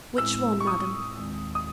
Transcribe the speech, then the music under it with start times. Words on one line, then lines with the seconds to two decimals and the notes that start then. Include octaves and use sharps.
"Which one, madam?"
0.18 A2 G#3 C4 E4 E6
0.60 C#6
0.67 D#6
1.17 D#2 D#3 G#3 C4
1.55 D#6